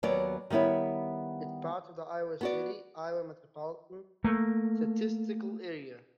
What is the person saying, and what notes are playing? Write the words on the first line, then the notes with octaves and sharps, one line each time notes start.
It part of the Iowa City, Iowa Metropolitan Statistical Area.
D#2 F#3 B3 C#5 D5
D#3 G3 B3 E4 C#5
B3 F#4 D5
A3 A#3